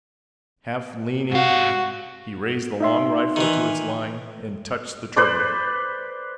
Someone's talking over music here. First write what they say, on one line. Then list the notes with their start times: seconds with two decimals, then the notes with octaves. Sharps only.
Half leaning, he raised the long rifle to its line and touched the trigger.
1.32 G#2 F#4 F5
2.80 D#4 E5 C6
3.36 D#3 E3
5.16 B4 C5 D5